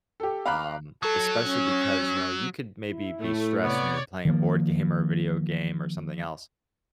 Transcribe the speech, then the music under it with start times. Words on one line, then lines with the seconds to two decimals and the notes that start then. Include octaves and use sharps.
um, especially because, you know, you could maybe be stressed when you're playing a board game or a video game or something else,
0.20 G4 A4
0.46 F5 A#5 B5 D6 F6 F#6
1.03 F#3 A4
1.46 C#4
2.88 E4
3.21 A2 A3
3.64 C3 B3 C#5 D5
4.25 D#3 F3 A#3